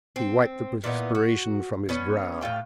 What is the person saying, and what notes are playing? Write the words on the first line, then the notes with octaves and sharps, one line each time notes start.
He wiped the perspiration from his brow.
C4
A#2 E3 B3 D#5
F#4
B3 C#4 C#5
A2 B3 F4 G5